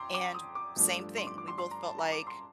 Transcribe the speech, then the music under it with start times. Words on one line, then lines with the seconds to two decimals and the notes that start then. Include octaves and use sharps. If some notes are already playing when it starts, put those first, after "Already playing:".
And same thing, we both felt like
Already playing: F2 G5 A#5 C6 D6
0.14 D6
0.34 D#6
0.55 D6
0.76 G2 F3 A3 D4
1.17 C6
1.27 D6
1.38 D6
1.48 C6
1.58 C6
1.71 A#5
1.86 A5
1.99 A#5
2.12 D6
2.27 C6